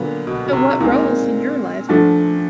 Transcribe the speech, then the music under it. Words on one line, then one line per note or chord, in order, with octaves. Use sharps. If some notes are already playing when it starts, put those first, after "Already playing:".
so what roles in your life? Mhm.
Already playing: A#2 D3 F#3 B3
B2
B2
C3
A#2 D#3 G#3 C4
A#2
F3 A3 D4 F#4